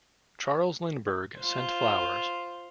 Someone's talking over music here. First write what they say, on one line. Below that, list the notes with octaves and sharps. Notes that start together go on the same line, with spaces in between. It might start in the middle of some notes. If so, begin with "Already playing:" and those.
Charles Lindbergh sent flowers.
F4 C5